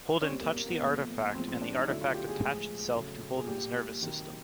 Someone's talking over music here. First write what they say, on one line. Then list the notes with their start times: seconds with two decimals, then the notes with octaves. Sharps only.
Holden touched the artifact and the artifact attached itself to Holden's nervous system.
0.21 C#4
0.28 A#2 G3 C4
0.41 A#3
0.54 A#3
0.68 B3
0.81 A#2 F3 A3
1.35 A2 F3 G#3 C4
1.48 C4
1.62 D4
1.75 D#4
1.88 D3 F#3 A3 E4
2.01 F4
2.14 G4
2.28 G#4
2.42 A2 F3 G#3
2.95 C#3 F#3 A3
3.36 G#4
3.47 A#2 G3 G4
4.01 C3 D#3 F#3